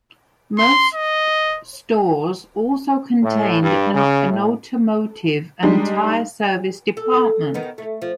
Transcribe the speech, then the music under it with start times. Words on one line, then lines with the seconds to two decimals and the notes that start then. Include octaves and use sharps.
Most stores also contained an automotive and tire service department.
0.58 C6
0.94 D#5
3.23 A2
3.63 G2
3.94 C#3
4.30 A2
5.63 G3 G#3 D4 D#4
6.97 A4
7.54 D#3 B3 D#4
7.78 A3
8.02 F3